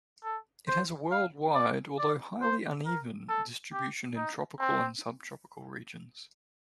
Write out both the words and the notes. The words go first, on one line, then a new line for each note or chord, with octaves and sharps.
It has a worldwide, although highly uneven, distribution in tropical and subtropical regions.
A4
C5
F5
D5
D5
C5
A#4
A4
G4
D#4
C4